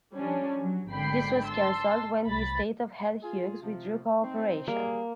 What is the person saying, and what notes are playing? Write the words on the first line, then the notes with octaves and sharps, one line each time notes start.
This was cancelled when the Estate of Ted Hughes withdrew co-operation.
F3 G3 C#4 D4
F#3
G#1 D3 G5 B5 C7
A5 C6 E6
C2 B5 A6
F4 G#4
C3 F3
C4 D#4
G3 A#3 G#4